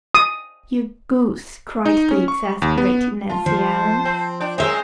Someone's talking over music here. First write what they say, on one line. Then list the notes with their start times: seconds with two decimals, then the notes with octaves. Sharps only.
"You Goose!" cried the exasperated Nancy Ellen.
0.15 D#6
1.86 D#4
2.11 C#4
2.28 C#6
2.62 D#2
2.78 B3
3.29 F4 A5
3.46 F3 C5
4.05 C4
4.40 D4 G5
4.58 G#3 C4 C#4 A#4 C5 E5